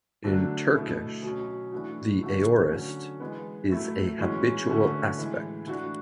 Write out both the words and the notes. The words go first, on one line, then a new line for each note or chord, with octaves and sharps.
In Turkish the aorist is a habitual aspect.
D3 F#3 A3 D4
B2 A3 E4
B2 F#3 C#4
E3 A3 D4 F#4
D3 A3 C#4 F#4
D3 F#3 C#4
E3 G#3 B3
A2 F#3 A3 E4
E3 G#3 C#4 F#4
D3 A3 C#4 F#4
A2 E3 G#3
E3 A3 D4 F#4